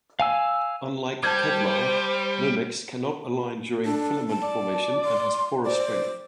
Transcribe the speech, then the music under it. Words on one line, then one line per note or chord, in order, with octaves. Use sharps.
Unlike Kevlar, Nomex cannot align during filament formation and has poorer strength.
F5 G#5 E6
G3 C5 A5 G6 G#6
D4 A4
A5
D5
C6
C5 D5